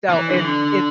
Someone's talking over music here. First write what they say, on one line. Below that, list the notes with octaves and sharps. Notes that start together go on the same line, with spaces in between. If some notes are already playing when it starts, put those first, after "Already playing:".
So it's it's
E3
D3
E3
D3